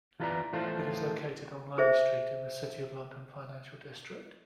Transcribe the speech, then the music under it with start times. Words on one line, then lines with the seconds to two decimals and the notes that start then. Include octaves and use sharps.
It is located on Lime Street in the City of London financial district.
0.20 E3 F4 A4 B4 D5 A#5
0.53 A2 E3 F3 F4 A4 C5
1.78 G#4 C5 E5